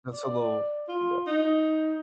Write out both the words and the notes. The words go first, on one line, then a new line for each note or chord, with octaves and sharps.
That's a little yeah.
D5
F4
D#4